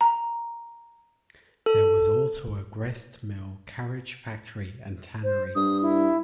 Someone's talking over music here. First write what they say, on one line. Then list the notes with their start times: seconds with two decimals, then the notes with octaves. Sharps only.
There was also a gristmill, carriage factory and tannery.
0.01 A#5
1.66 A4
5.24 C5
5.55 G2 D#6
5.82 E4